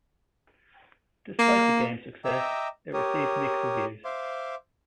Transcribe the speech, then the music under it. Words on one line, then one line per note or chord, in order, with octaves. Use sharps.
Despite the game's success, it received mixed reviews.
A#3
D#5 E5 G5 A#5 D6 E6
G4 A#4 C#5 D#6
C5 E5 F5 C6 D6